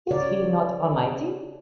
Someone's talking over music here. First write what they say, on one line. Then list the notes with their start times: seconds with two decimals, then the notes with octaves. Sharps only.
Is he not almighty?
0.11 C#3 A#4 C#5 D5